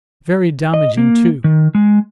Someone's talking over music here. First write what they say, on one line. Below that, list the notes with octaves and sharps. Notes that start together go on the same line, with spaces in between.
Very damaging, too!
D#5
A#3
D#3
G#3